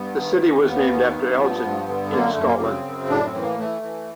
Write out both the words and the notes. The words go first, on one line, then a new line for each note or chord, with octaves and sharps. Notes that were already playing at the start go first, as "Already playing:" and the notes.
The city was named after Elgin, in Scotland.
Already playing: G2 B3
D#3
D#2
D#2 B3
D#3
G2
F3
G2
D3
F#2 A#3
A3
F#2
A#3
C#3 C4
F#2
A2 D4
C4
E3
A#3
E3 A3
E3